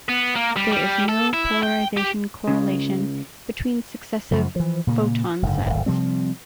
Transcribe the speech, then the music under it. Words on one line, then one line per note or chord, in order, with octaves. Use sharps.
There is no polarization correlation between successive photon sets.
B3
A#3
G3
G3
A4
E4
G5
G4
C#2 C#3
F#2 C#3 F3
E3 F3
A#2 C#3 A#3
F#1 G#2 D3
D1 G#1
C3 F3 G3 C4